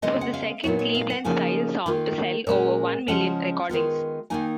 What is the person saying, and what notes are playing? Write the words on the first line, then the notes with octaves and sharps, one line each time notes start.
It was the second Cleveland-style song to sell over one million recordings.
C#3 G#3 B3 D#5
F#5
F5
A#2 F#3 B3 D#4 C#5
C#5
F5
F#5
C#3 F3 A#3 D#4 G#5
D#3 A#3 F4
A#2 G#3 C#4
C#3 F3 G#3 C#4 F#5
D#3 G#3 B3 F4
D#3 A#3 D#4 G#5